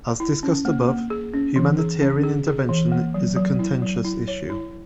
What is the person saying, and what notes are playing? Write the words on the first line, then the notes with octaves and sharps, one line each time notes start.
As discussed above, humanitarian intervention is a contentious issue.
E4
C#4
A#3
A#3
G#4
C#4
E3
G#4
C#4
G#4
G#4
E3
A#3
F#3
F#3
E4
F#3
E4
C#5
E4